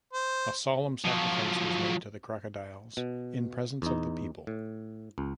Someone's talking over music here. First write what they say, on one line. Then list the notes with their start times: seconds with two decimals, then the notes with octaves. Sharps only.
A solemn sacrifice was made to the crocodiles in presence of the people.
0.13 C5
1.05 F3 F#3
2.97 B2
3.82 E2 D#4
4.47 A2
5.18 C#2